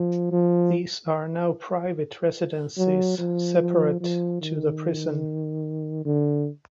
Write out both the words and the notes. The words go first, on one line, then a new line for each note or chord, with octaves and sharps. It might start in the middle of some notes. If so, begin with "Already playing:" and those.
These are now private residences, separate to the prison.
Already playing: F3
F3
F#3
F3
F3
F3
D#3
D3